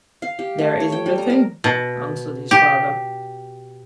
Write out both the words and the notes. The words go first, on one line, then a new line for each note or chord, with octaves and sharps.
"There isn't a thing," answered his father.
F5
G4
A3
C#5
G5
G3
A#5
A#4
B2
G4